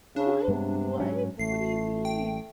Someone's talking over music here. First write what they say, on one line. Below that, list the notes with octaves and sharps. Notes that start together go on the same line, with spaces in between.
What? What? What do you mean?
C#3 D4
G2 C3 G#3 B3
G#2 F#3 C#4
A1 A3 C7
G5